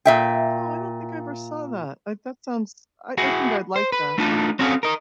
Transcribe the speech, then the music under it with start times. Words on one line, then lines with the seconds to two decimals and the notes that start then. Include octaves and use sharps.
Oh, I don't think I ever saw that. I that sounds I I think I'd like that.
0.05 A#2 E5 G5
3.18 E4 F#4 G#4
3.76 C5
3.92 B4
4.18 A3 D4 D#4 F4 A5
4.59 C4 C#4 F#4 G#4 A4 F5
4.83 A#4 D#5